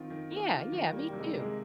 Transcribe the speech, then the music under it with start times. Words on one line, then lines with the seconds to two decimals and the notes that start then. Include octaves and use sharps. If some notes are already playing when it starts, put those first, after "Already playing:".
Yeah, yeah. Me too.
Already playing: D#3 C4 F4
0.10 D#3
0.31 A#3
0.51 F4
0.72 D#3
0.92 G3 A#3
1.08 C3 G3
1.19 G#3
1.23 G3
1.33 C3
1.39 G#3